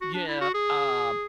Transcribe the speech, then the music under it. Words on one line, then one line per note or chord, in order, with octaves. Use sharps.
Yeah, uh,
F#4
D4
E4
F#4
G#4